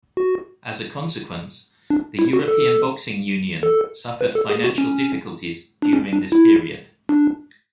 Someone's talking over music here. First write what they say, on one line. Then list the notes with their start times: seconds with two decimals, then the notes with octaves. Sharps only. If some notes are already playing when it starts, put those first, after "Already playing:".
As a consequence, the European Boxing Union suffered financial difficulties during this period.
0.17 F#4
1.90 D4
2.19 E4
2.33 F#4
2.48 A4
3.63 A4
4.21 B4
4.35 A4
4.50 G#4
4.64 F#4
4.78 C#4
5.82 D4
5.93 C#4
6.13 D4
6.32 E4
7.09 D4